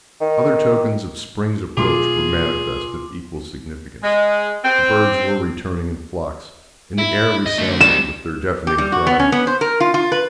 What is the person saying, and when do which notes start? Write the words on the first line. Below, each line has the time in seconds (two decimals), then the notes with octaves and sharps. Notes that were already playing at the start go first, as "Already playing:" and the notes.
Other tokens of spring's approach were manifest of equal significance, the birds were returning in flocks, and the air resounded with their deafening cries.
0.21 D#3
1.77 B2 F#3 A3 F4 G#4 C6 D6
4.03 G#3
4.64 C4
6.98 E4
7.46 D#5
7.58 D3 A3
7.81 G3 C4 E7
8.67 G4
8.78 G3
8.92 F#4
9.07 B3
9.20 C#4
9.32 B3
9.47 C5
9.61 A#4
9.80 F4
9.94 F4
10.12 B4